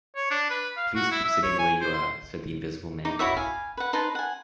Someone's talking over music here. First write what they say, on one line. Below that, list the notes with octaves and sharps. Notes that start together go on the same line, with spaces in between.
"Please keep sitting where you are," said the Invisible Man.
C#5
D4
B4
F5
F#4
E4
E5
C#5
G#5
C5
C6
D#4 D6
E4 F#4 C#5 E5
F5 G#5
B4 F#5
D#4 B4 C5 A5
F#5 G#5